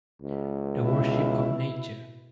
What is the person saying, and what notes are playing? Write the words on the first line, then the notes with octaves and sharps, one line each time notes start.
The Worship of Nature.
C#2
B2 E4